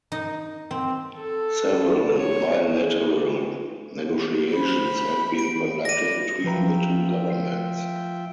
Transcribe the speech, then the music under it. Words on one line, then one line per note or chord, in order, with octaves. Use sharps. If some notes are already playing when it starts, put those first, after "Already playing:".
Several bilateral negotiations have been conducted between the two governments.
D#4
C4
A4
C#5
G#4
C5 B5
D7
B4 D5 A#6 D#7
F3 F4 B4 E5 G5 A#5